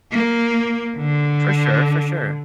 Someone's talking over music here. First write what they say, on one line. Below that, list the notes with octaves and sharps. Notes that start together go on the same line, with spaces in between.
For sure, for sure.
A#3
D3